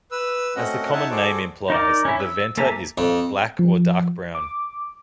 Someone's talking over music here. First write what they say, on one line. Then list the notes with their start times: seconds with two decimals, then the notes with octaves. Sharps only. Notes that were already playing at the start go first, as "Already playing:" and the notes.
As the common name implies, the venter is black or dark brown.
0.11 B4 E6
0.56 A3 C4 C#4 F#4 D#5 F#5
0.92 D#4 C#5 E5 F#5 A5
1.11 F#4 G#4 A4 C5 D5
1.70 D#4 A#4 D5
2.05 C#4 E4
2.20 E6
2.57 A#3 A4 E5 G#5 A#5
2.98 F2
3.59 F3
4.35 D6